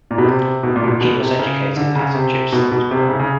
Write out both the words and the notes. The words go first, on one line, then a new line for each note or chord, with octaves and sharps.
He was educated at Gippsland Grammar.
A#2
B2
C3
B2
A#2
B2
A#2
B2
C3
C#3
D3
C#3
C3
B2
B2
C3
C#3
C#3